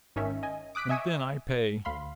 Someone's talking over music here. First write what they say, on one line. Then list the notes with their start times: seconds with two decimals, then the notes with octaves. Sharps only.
And then I pay.
0.16 G#1 D#3 C#4 E5
0.43 D#5 G#5
0.75 D6 D#6 F#6 B6 D7
0.89 D#5 E5 G#5 C#6 D#6 E6
1.85 D2 F5 B5 C6